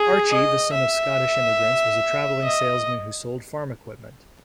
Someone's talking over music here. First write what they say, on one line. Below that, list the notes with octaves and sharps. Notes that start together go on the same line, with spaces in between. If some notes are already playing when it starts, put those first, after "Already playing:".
Archie, the son of Scottish immigrants, was a traveling salesman who sold farm equipment.
Already playing: G#4
D#5
E5
D#5